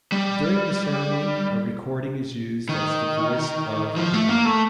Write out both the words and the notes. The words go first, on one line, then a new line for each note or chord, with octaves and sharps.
During the ceremony, a recording is used as the voice of The Owl.
G3
D#3
F3
A3
A#3
A3